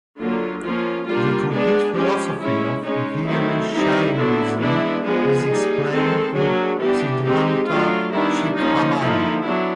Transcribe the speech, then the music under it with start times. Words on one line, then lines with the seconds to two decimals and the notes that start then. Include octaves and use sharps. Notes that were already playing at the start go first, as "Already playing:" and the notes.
The complete philosophy of Veerashaivism is explained in Siddhanta Shikhamani.
0.18 D3 F#3 A#3 F4
0.62 F3 A#3 C#4 F4
1.06 G3 A#3 D4 F4
1.50 G#3 B3 D4 G#4
1.94 F3 G#3 C#4 G4
2.38 G#3 C#4 E4
2.82 G#3 C#4 D#4
3.26 D#3 F#3 A3 C4 D#4 E4
3.70 E3 G3 C4 D#4 E4
4.15 D3 F#3 B3 D4
4.59 E3 G#3 B3 D4 E4
5.02 F3 G#3 B3 G#4
5.47 G3 A#3 D#4
5.91 D#3 G#3 C4 A4
6.35 F#3 A#3 D4 G#4
6.79 E3 G3 B3 D4 G4
7.23 G#3 C4 D#4 G4
7.67 F#3 A3 D4 F4
8.11 D#3 G3 B3 D4 E4
8.55 F3 A#3 C#4 D#4
8.99 D3 F3 A#3 D#4 E4
9.43 F#3 B3 D4 E4